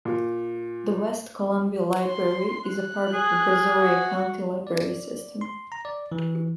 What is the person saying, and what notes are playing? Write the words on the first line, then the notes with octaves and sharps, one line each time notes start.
The West Columbia Library is a part of the Brazoria County Library System.
A#2
C6
F#6
G#4
F#4
D5
C6
A#5
D5
E3